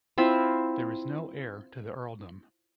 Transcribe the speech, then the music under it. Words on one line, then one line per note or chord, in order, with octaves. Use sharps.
There is no heir to the earldom.
C4 E4 F4 E5